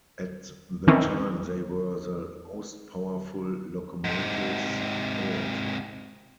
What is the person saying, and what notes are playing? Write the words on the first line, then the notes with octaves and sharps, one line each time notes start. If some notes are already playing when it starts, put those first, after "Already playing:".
At the time they were the most powerful locomotives built.
D#3 E3 C4 C#4
G#2 C3